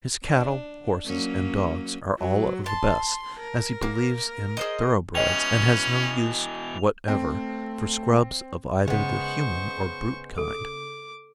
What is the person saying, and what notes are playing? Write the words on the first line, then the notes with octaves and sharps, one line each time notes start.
His cattle, horses and dogs are all of the best, as he believes in thoroughbreds and has no use whatever for scrubs of either the human or brute kind.
D4
F#3 A#3 C#4
F#3
A5 C6
A#4
A#3
G#4 C5 D#5
B2 E3 C#4 G4 D#5 G5 F7
A3 C4
C#3 G#3 B3 C5 C#6
A4 D6